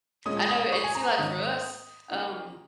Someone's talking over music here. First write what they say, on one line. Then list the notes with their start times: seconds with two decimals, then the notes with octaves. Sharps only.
I know, and see, like, for us, um
0.26 A#2 G#3 C#4 D#6
0.49 D#6
0.72 C#6
0.84 G#5
0.95 A#5
1.18 G#2 D#3 C#4 D#6
2.11 C#3 A#3 D#4